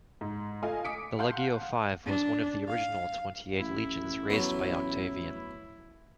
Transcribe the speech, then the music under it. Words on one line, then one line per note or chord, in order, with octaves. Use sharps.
The Legio Five was one of the original twenty-eight legions raised by Octavian.
G#2
A3 F4 D#5 F5 G#5
D6 D#6 B6 C#7 D7
F5 F#5 A5 C6 F#6 G6
D4
F5
A1 E4
F#3 B3